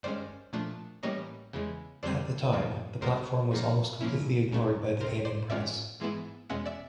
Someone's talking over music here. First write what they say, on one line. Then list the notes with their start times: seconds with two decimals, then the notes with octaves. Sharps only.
At the time, the platform was almost completely ignored by the gaming press.
0.03 G2 D#3 G#3 C#4 C5 D5
0.53 A#2 F3 A3 D4
1.03 A2 E3 G3 A#3 C#4 C#5 D#5
1.53 E2 C#3 E3 G#3
2.03 F2 D3 G3 C4 C5 D5
2.53 D2 C3 F3 A#3
3.01 C#2 B2 G3 B3 A#4 C5
3.51 C#3 F3 A#3 D#4
4.01 A#2 F3 A#3 C#4 E4
4.51 C#2 C#3 F#3 A3
5.00 C#2 C3 D#3 A#4 C5
5.25 C5 D5
5.50 G#2 D#3 G#3 C#4 F4 D5 E5
6.00 G#2 E3 G#3 B3 E4
6.49 E2 B2 G#3 C#4 E5 F#5
6.66 D5 E5